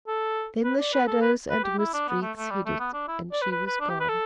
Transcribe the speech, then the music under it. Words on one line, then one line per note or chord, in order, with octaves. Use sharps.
Then the shadows and mist-wreaths hid it, and she was gone.
A4
B4
D5
B4
A4
B4
B4
G4
E4
D4
B3
A3
A3
G3
A3
B3
D4
E4
D5
B4
B4
B4
D4
G4
B4
A4